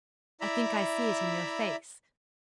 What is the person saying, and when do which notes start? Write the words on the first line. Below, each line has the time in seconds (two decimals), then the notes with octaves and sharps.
I think I see it in your face.
0.41 E4 D5 E5 A#5 B5